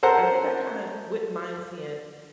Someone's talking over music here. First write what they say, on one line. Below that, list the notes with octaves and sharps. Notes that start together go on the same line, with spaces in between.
I think I kinda wouldn't mind seeing
A4 A#4 C5 F#5 A#5